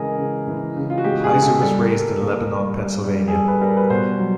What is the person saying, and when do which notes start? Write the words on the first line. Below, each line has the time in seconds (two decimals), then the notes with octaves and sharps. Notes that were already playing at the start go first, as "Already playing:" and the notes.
Heiser was raised in Lebanon, Pennsylvania.
Already playing: C#3 E3 G#3 G#4 A#4 D#5
0.18 C#3
0.47 E3
0.76 C#3
0.90 F4
0.98 F#4
1.04 G#3 G4
1.24 G#4
1.33 C#3
1.43 A4
1.61 G3 A4
1.81 A#4
1.90 G3
1.99 A4
2.18 A#2
2.48 G3
2.76 G3
3.04 G3
3.28 G#4
3.33 G3 A4
3.48 B4
3.61 G3 A#4
3.76 B4
3.90 B2 C5
4.19 F#3